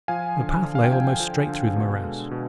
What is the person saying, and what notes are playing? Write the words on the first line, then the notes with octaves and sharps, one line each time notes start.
The path lay almost straight through the morass.
F3 F5 G#5
D3
D3
F5
G5
F3 F5 G#5
F3
D3
B2
G#3
B2